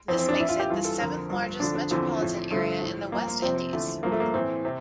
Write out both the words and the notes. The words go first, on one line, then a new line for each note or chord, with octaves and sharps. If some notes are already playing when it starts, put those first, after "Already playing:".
This makes it the seventh largest metropolitan area in the West Indies.
F2 E3 C4
C4
D4
A2 E3 E4
F4
G4
G2 E3 F4
A4
F2 D3 F3 A#4
G2 F3
F2 D3 F3 D4
D4
E2 D3 F3 C4
A2 F3
G2 D3 F3 A3
A2 F3
G2 F3 A#3
A#3
F2 C3 F3 C4
C4
E2 D3 F3 A3
G2 F3 A#3
A3
A#3
A2 E3 C4
C3